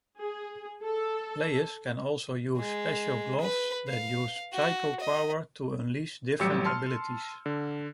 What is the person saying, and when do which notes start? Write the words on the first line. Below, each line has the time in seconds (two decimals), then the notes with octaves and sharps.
Players can also use special gloves that use psychopower to unleash different abilities.
0.20 G#4
0.84 A4
2.57 G#3
3.41 B4
3.88 F5
4.53 F#4
5.00 D#5
6.40 A1 F#3 G3 G4 E6 C#7
6.65 A5 C6 F6
7.46 D3